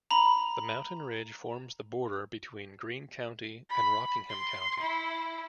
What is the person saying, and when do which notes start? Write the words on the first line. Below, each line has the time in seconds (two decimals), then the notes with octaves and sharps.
The mountain ridge forms the border between Greene County and Rockingham County.
0.11 A#5 B5
3.69 B5
4.29 C6
4.80 E4